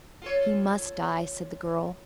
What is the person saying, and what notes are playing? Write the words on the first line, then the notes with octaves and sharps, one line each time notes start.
"He must die," said the girl.
F4 A4 C#5